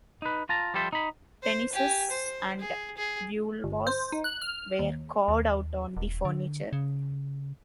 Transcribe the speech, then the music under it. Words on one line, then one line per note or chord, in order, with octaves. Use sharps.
Penises and vulvas were carved out on the furniture.
D#4 B4
F4 A5 A#5
F3 G3 G4 A4 C5 E5
D#4 B5
C5
G4 G#5
C5
G#4
G#4
G1
C5
D#4
F#6
F6
D#2
D#2
D#1
D3
C#3